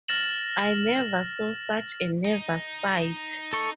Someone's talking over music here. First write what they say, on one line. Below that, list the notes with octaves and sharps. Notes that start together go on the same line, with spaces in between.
I never saw such a nervous sight.
F6 A6 A#6 E7 F#7
D#4
A4 C#6